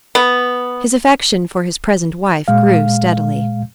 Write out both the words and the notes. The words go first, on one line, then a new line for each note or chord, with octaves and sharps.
His affection for his present wife grew steadily.
B3
A#2 G#3 F5